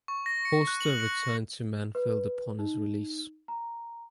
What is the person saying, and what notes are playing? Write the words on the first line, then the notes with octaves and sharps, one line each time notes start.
Forster returned to Manfield upon his release.
C#6
A#6
C#7
F#6
F#7
C#7
B4
D#4
A#5